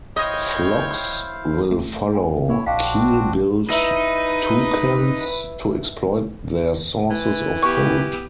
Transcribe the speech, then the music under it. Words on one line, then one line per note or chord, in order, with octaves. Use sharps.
Flocks will follow keel-billed toucans to exploit their sources of food.
E4 C5 C#5 D#5 F5 G5
A3
G5 G#5
C#3 A3 A#3 E4 C#5
A#1 C4 D4 F#4 D#5 F5 G5
D#4 E4 B4 E5
E3
B3 G4 C#6